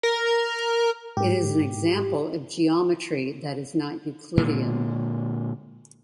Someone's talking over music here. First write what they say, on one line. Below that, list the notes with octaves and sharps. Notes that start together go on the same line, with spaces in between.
It is an example of a geometry that is not Euclidean.
A#4
G#2 G4
A#2 D3 G#3